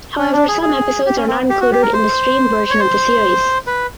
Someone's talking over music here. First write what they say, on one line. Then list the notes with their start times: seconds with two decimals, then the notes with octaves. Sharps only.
However some episodes are not included in the streamed version of the series.
0.18 C#4
0.33 D4
0.48 G#4
0.62 G#4
1.06 G4
1.16 C#4
1.28 C4
1.50 G4
1.61 F#4
1.72 G4
1.82 A#4
1.93 C5
2.71 C#5
2.80 C5
3.67 B4